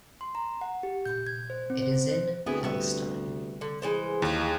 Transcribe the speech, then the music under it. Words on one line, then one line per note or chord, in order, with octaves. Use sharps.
It is in Palestine.
C6
A#5
F#5
G4
G6
G#6
C5
C4
C5
C5
D2 B3 C4 E4 G#4
G3 B3 E5
D3
E3 G#3 C5
D#2 E3 D#4 F4 G#4